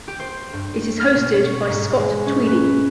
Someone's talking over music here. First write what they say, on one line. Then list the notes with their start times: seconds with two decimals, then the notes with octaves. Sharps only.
It is hosted by Scott Tweedie.
0.08 G4
0.20 C5
0.53 G2
1.00 F6
1.15 B2
1.46 C#5
1.69 G#2
1.99 G#3
2.26 C#4
2.47 B4